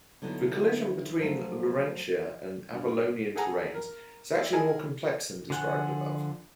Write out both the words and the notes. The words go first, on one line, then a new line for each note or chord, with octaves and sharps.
The collision between Laurentia and Avalonian terranes is actually more complex than described above.
D3 F#3 B3 D#4 E4
F3 F#3 A3
G2
G#4 A4 F#5 G#5 A#5
A#4
D5 E5
E4 G#4 A#4 D#5 G#5 A5
D3 F3 F#5 G#5 F#6